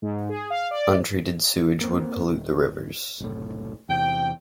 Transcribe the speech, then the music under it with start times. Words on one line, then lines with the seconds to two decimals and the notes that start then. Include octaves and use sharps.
Untreated sewage would pollute the rivers.
0.02 G#2
0.29 G#4
0.50 F5
0.71 D5
1.81 A#3 C4
2.29 D1
3.20 F#1 C2 A2
3.89 E2 C3 G5